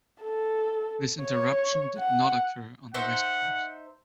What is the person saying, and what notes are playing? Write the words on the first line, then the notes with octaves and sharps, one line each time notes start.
This interruption did not occur on the West Coast.
A4
C#5
F#5
D#4 C5 E5 F#5